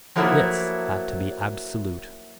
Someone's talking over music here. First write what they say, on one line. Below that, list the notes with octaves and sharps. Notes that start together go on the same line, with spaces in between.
This had to be absolute.
F3 F#3 A3 A#3 E4